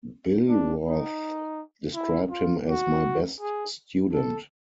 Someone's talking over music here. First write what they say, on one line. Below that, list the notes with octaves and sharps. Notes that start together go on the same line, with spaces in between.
Billroth described him as my best student.
D4
D#4
E4
F4
F#4
G#4
A4